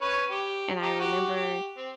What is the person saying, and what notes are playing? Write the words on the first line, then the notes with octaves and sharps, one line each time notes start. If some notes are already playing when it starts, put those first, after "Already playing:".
and I remember,
C#4 B4 C#5
G4
D#4 G4
F#4 G4
G4
C4